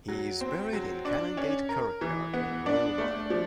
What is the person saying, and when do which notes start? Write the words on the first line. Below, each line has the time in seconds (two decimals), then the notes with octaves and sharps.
He is buried in Canongate Kirkyard on the Royal Mile.
0.08 F#3
0.41 C4
0.73 F#3
1.05 D4
1.37 C#4
1.69 A#4
2.01 E3
2.33 B3
2.66 D4
2.98 A3
3.30 F3